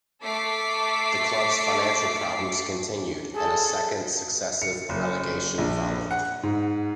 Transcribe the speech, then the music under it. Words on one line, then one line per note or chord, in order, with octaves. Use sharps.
The club's financial problems continued and a second successive relegation followed.
A3 A4 D6 B6 C7
G#4 A4
C#7
F#1
A#1
F#5
G#2